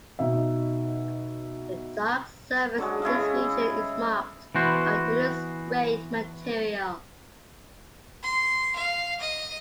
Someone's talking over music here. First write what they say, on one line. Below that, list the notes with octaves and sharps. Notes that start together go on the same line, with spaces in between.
The dark surface in this region is marked by Euler's ray material.
B2 D#4 E5
D3 F#3 G#3
C#3 E4 D#5 F5
E3 B3 F#4 C5
C6
F5
D#5